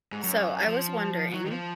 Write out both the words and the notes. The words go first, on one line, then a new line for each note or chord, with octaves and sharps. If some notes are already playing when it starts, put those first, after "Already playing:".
So, I was wondering
G#2
F#2
F3
F#3
D#3
F3